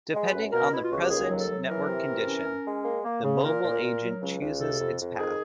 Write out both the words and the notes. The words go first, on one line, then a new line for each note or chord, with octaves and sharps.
Depending up on the present network condition the mobile agent chooses its path.
G#3
B4
F#2
B2 A#4
B2 E4
F4
C#2 F#4
G4
D#2 G#4
F#3
A4
F#3
E3 A#4
C3
E3
C#4
C#4
G#3
A#3
A#3
C#3
A#2 A#4
A#2
A#2
F#3
C#2
C#2
C3 A4
F2
F2
D#3 G#4